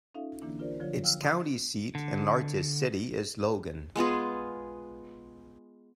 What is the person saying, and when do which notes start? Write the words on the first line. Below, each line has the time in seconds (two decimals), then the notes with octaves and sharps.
Its county seat and largest city is Logan.
0.15 C#4 D#4 F4 A4 E5 F5
0.41 D3 E3 A#3 D4 E4
0.59 D4 F4 G4 A#4 C5 D5
0.80 D3 F3 F#3 F4 C#5
1.03 F5 G5 E6 F6
1.22 C6 D#6 F6
1.95 D3
3.96 G#3 B3 F4 G#4